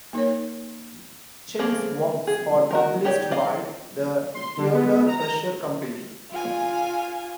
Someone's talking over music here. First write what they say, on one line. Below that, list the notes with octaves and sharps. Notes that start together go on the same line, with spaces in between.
Chen's works are published by the Theodore Presser Company.
A#3 D#4 A#4 C#5
A3 A#3 C4 G#4 A4
G#4
F#4 A#4
D#4 G4 C#5 D5
D5 D#5 F5
C6
D3
B3
A#5
A#5
F4 G#5